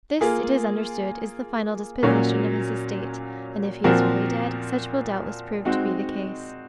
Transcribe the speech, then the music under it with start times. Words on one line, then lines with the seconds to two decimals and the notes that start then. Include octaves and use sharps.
This, it is understood, is the final disposition of his estate; and if he is really dead, such will doubtless prove to be the case.
0.21 A#3 F4 G#4
2.03 A#2 F#3 A#3 C#4 F#4
3.84 A#2 F3 C4 F#4 A#4
5.65 G#3 C4 D#4 F#4